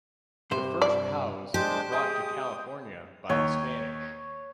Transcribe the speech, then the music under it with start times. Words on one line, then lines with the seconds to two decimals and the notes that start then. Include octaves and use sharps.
The first cows were brought to California by the Spanish.
0.51 G2 C3 C5
0.82 D5
1.54 G#3 D4 G4 C5
1.92 G#3 G5 D#6
3.30 D#2 C#5